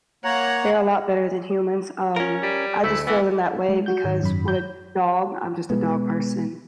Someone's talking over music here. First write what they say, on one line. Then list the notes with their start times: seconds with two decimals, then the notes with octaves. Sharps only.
They're a lot better than humans, um, I just feel in that way because with a dog- I'm just a dog person-
0.25 A#3 C#5 F#5 A#5
2.16 C#4 A#4
2.42 G3
2.84 D2 A3 E4
3.07 E3 B3
3.69 G#3
3.86 F#4 G6
4.04 G#2 D#3 F#3
4.23 F#2 B5
4.48 G6
5.70 B2 G#3 B3